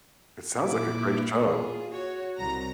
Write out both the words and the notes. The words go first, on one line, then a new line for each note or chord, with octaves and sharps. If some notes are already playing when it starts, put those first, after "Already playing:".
It sounds like a great show.
A#2 E4 D6
F4 G#4
F#4 C#5
C2 A#5